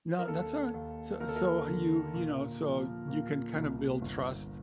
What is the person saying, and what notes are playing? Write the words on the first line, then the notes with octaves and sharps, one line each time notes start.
No, that's alright. So so, you, you know, so, you can kinda build trust,
A#4
D#2 A4
D#2
D#2 A#4
A4
A#4
D3
A#2
F3
A#2
C2
G1